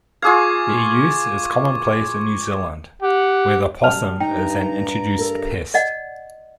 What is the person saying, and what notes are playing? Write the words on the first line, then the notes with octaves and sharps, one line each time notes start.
Their use is commonplace in New Zealand, where the possum is an introduced pest.
F4 G#4 F5 C#6 D6 G#6
G4 F#5
F#2 G3 G5 A5 F6 F7
G2 D#4 G5 A#5
A4 A#4
D5 D#5 F#5